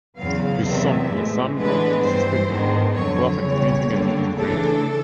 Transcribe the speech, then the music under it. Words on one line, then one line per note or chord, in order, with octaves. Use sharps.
His son Alessandro assisted him both in painting and in engraving.
E2 C#3 F#3 B3 F5
E2 C3 D#3 F#3 B3 E5
A2 F3 G#3
A2 E3 G#3 B3 D4 B4
G2 E3 G3 C5
G#2 D#3 G#3 B3 D4
F2 D3 F#3 C#5
E2 C#3 E3 G3 C#5
D3 G3 A#3 D4
C#3 E3 A3 D4 A4